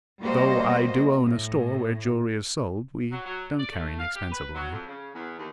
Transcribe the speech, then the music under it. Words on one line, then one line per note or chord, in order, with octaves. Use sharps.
Though I do own a store where jewelry is sold, we don't carry an expensive line.
G3 A#3 F#4 C5 D#5
A2
F#3
F#3
D5
A3
F5
G4
B4
F#3
F2
C#3
E2
D#2